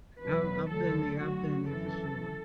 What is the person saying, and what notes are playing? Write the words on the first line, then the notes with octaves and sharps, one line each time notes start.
I've I've been there, I've been there for sure.
E2 B2 F#3 B4
D2 D3 F#3 A4
D2 D3 F#3 F#4
F#2 E3 A4